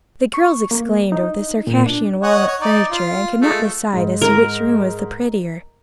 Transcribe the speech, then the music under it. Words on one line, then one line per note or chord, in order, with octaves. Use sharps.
The girls exclaimed over the Circassian walnut furniture and could not decide as to which room was the prettier.
C#6
A#3
D#4
A#2
D4
C#5 D#5 F#5
C#5
D#4 D5
F4
G#3 A3 F4
G#2
A#4